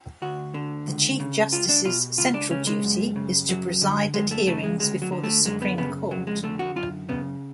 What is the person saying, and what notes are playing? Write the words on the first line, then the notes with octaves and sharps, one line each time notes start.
The Chief Justice's central duty is to preside at hearings before the Supreme Court.
D2 F#4
D3
C#2
C#3
C#2 F4
D4
B2 F4
C#2 F4
D4
C#3 C#4
G#3
F#2
C#3
F#2 F#3
D3
F#2 G#3
A3
C#3 A3
G#3
D2 G#3
F#3
D3
A3
F#2 G#3
B3
C#3 B3
F2 F#3
G#3
D3 A3
F#4
F#2 F4
C#3 B3